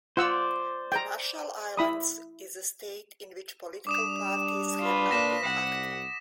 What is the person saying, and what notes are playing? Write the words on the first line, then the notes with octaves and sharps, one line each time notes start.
The Marshall Islands is a state in which political parties have not been active.
F4 C5 D5 F#5 E6
G5 A#5
E4 B5 D#6
G3 D4 D6 D#6 E7
F4 B4
A#2 A#3 D4 A#6 B6 E7
C2 F#5